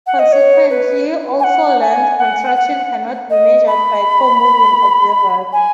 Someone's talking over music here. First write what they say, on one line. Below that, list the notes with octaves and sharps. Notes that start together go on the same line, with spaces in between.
Consequently, also length contraction cannot be measured by co-moving observers.
F#5
D#5
C#5
B4
G#5
F#5
G#5
F#5
F#5
D#5
B5
G#5